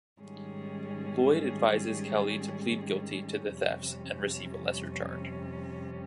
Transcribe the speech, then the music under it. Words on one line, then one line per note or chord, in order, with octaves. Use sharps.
Lloyd advises Kelly to plead guilty to the thefts and receive a lesser charge.
G#2 D#3 G3 C#4 G#4
F2 C3 G3 C#4